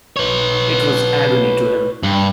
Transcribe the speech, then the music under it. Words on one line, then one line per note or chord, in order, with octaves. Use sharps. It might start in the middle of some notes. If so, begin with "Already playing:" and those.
It was agony to him.
B4 C#5
G2